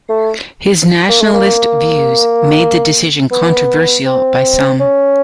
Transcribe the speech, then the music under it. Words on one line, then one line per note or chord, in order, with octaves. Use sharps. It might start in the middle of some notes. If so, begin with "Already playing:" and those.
His nationalist views made the decision controversial by some.
A3
A#3
A3
A#3
B3
C4
C#4